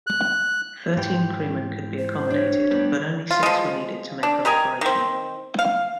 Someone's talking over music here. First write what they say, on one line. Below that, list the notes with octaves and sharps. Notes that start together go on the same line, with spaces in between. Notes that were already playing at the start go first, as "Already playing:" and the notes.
Thirteen crewmen could be accommodated, but only six were needed to make her operational.
F#6
G#2 E3 G4
C5
D4 C#5
A2 G3 B3 D5
F4
F3 G#3
D4
G4 A#4 D#5 G#5
D#3 C4
F5